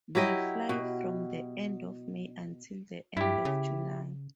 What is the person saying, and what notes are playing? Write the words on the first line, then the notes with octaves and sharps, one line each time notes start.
They fly from the end of May until the end of July.
F#3 E4 G4 D#5
B2
G2 E4 G4
C#3